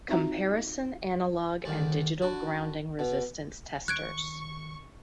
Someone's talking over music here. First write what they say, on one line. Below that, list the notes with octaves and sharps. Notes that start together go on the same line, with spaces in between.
Comparison analog and digital grounding resistance testers.
C4 D#4 F4 F#4 E5 A#5
D2 D#3 G3
D3 F#4
B2
D#3 C#6 F#6 G#6 D7